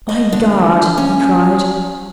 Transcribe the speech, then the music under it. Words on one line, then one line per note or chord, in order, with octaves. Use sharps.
"By God!" he cried.
D#5
D3
C#4